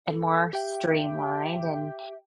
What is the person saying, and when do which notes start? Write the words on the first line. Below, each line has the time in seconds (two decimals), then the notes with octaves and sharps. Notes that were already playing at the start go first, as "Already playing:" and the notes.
and more streamlined, and
0.07 A4
0.53 G4 E5 G5